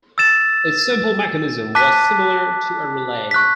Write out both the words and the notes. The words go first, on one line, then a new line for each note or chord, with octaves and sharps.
Its simple mechanism was similar to a relay.
E6 A6 E7
A5 D6 F#6 B6
C#6 F#6 B6